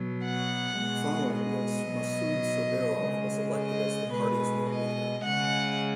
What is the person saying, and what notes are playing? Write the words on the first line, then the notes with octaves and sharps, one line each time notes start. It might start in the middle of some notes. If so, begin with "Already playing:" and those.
Following this, Masud Sobirov was elected as the party's new leader.
Already playing: B2 F#3
F#5
B2 G#3
D#5
B2 F#3
C#3 G#3
D#5
B2 G#3 B4
D#5
C#3 G#3 F#5